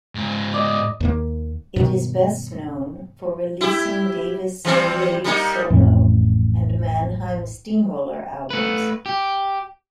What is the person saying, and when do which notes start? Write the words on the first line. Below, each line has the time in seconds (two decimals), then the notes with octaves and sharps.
It is best known for releasing Davis' new age solo and Mannheim Steamroller albums.
0.15 G#2 F4
0.54 D5 D#5
1.00 D#2 D#3 A#3
1.76 G2 B2 D#3
3.61 E4 G4
4.65 E3 G3 C4
5.24 G3 A#3 D#4
5.70 A1 F2 A2 F3
8.50 A3 B4
9.06 G4